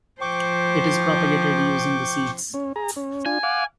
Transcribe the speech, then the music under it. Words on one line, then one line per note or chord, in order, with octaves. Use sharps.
It is propagated using the seeds.
F3 C5 G5 C#6 D6
C#4
G#4 A#5
C#4
D4 F4 G#5
F5 F#5 D6